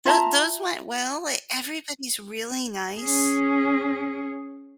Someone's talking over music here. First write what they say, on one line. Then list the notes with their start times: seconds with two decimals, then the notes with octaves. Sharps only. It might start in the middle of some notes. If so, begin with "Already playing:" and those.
Tho those went well, e everybody's really nice,
0.05 F4 E5 A5 A#5
3.01 C#4 G#4